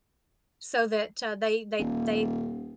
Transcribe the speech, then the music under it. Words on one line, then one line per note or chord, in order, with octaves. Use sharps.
so that, uh, they they they
D#1